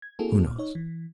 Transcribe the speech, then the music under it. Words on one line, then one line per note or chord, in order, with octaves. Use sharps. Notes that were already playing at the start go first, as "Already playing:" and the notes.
Who knows?
G#6
A#3 C4 E4 F#4 G#4 A4
A#2
D#4 C#5
E3